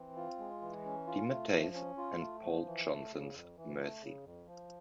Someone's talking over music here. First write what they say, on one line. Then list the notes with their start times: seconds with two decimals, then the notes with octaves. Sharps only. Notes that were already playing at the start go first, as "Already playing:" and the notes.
DeMatteis and Paul Johnson's "Mercy".
Already playing: E3 C4
0.16 F4
0.39 G#3
0.62 E3
0.85 C#4
1.07 F4
1.30 A3
1.52 F3
1.75 C#4
1.97 F4
2.20 A3
2.43 F3
2.66 E3
2.89 A3
3.12 C#3
3.33 F2
3.57 E3
3.79 A3
4.01 C#3
4.24 F2
4.47 F3